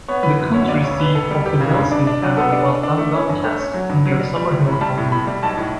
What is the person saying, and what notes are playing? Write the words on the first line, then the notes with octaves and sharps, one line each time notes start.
The country seat of the Wellesley family was Dangan Castle, near Summerhill, County Meath.
B3 C#5
E3 B4
F#2
D2 C#5
C#3 D5
E1 C#5
E1 B4
E1 A4
G3
E1 G4
C#3
G2
D4
D4
F#3
B3 A4
D4
D4
D4
A3
C#4
G2
A3
C#4
F#3
G2
F#3
G3
G3
A2
A2
B5
G3 A5
A2
A2 B5
G3
B1 A5
A2